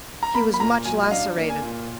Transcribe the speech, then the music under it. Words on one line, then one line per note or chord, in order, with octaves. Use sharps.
He was much lacerated.
A#5
A#3 B5
B5
A#2 A#5
F#3 G#5
D#5
D4 F5
A#3
G#5
A#2